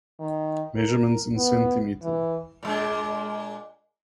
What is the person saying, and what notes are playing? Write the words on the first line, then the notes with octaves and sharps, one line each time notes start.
Measurements in cm.
D#3
A#4
B3
E3
A#2 G#3 D4